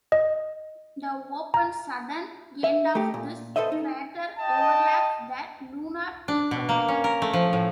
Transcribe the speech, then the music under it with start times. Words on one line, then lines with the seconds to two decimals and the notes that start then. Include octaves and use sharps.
The open southern end of this crater overlaps the lunar equator.
0.12 D#5
1.54 A#5
2.64 E5
2.95 A3 G4
3.14 A#2
3.56 A4 B4 C5 D#5 E5
3.72 D#4
4.40 D#5 G5 A5
6.28 D4
6.51 B2
6.69 A#3
6.88 C#4
7.04 A#4
7.22 A3
7.33 F3
7.53 A2